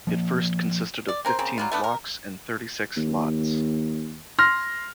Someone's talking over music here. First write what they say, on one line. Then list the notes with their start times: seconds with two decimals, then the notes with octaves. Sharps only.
It first consisted of fifteen blocks and thirty six lots.
0.07 F3 A#3
1.08 D5
1.25 C4 A#4 C5
1.39 C#3 A#3 C4
1.58 F#3 G3 F4
1.72 A3 B3 D4
1.84 A#4
2.97 D#2
4.38 C6 F6 A#6